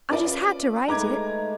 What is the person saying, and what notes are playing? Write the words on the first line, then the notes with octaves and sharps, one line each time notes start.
I just had to write it.
C#4 F4 B4 D5
G#3 A3 D#4 G#4 B4 A#5 D6 G#6